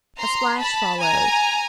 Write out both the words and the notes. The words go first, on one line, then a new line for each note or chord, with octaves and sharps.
A splash followed.
A#5 C6
A5 B5
G#5 A#5